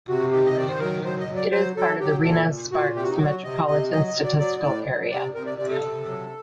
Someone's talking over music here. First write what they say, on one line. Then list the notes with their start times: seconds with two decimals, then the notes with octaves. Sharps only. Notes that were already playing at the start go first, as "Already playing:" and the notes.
It is part of the Reno-Sparks Metropolitan Statistical Area.
0.08 C3 F#4
0.32 D#3 G4
0.46 D#5
0.56 D#3 D5
0.68 C5
0.80 F#3 A#4
1.04 F#3 C5
1.20 D#5
1.28 F#3
1.35 D5
1.51 F#3 C5
1.76 F#3 A4
2.00 F#3 G4
2.24 A#2 A4
2.47 A#2
2.71 A#2 F#4
2.95 C3 G4
3.03 F#4
3.10 D#4
3.17 F#3 F#4
3.43 C3 D#5
3.67 C3 D#5
3.91 F#3 D#5
4.07 D#5
4.14 F#3
4.23 D5
4.39 F#3 D5
4.63 A2 D5
4.86 F#3
5.10 C3 D5
5.34 C3 A#4
5.46 D5
5.58 C3 D5
5.70 A4
5.82 C3
6.06 F#3